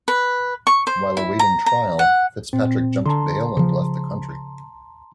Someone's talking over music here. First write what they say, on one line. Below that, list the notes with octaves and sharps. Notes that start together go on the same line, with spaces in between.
While awaiting trial, Fitzpatrick jumped bail and left the country.
B4
C#6
C5
E4
A#5
A#5
F#5
A#2 C4
D3 A5 A#5 C6
C#3 F3